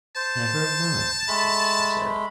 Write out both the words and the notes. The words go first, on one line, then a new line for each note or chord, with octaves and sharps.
"Never mind," Peterson said.
C5 A5
G#3 A3 B5